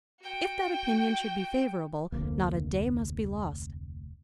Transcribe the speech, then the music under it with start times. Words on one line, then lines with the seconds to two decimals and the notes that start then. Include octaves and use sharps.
If that opinion should be favourable, not a day must be lost.
0.20 F#4 G5
2.12 F1 D2 F3 A#3